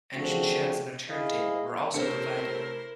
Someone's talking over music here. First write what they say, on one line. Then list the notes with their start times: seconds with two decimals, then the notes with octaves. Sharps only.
Engine sheds and a turntable were also provided.
0.14 C#3 F3 A3 C4 D4 F#4
1.08 E4 G#4 D#5 F5
1.94 C3 A3 C#4 D4 E4 A#4 C5